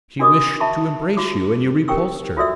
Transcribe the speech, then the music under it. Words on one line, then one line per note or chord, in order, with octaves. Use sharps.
"She wished to embrace you, and you repulsed her."
D4 F#4 A#4 D#5 D6 D#6
E5 A5 B5 C#6
F4 F#4 D6
C#4 G4 A#4 G5 C#6 E6
F4 F#4 A4 D5 E5 E6